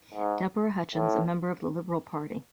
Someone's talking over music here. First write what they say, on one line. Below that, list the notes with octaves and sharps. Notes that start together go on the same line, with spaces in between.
Deborah Hutchens, a member of the Liberal Party.
G#2
A2